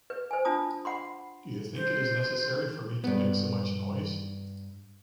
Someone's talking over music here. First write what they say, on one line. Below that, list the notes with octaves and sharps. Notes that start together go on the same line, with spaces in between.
Do you think it is necessary for me to make so much noise?
B4
C5 G#5
D4 F4 A5 D#6
F#5 B5 C6
C5
G2 B3